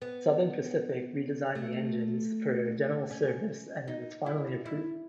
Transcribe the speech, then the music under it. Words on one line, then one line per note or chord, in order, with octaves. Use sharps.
Southern Pacific re-designed the engines for general service and it was finally approved.
B3
A3
C#4
D#4
E4
E4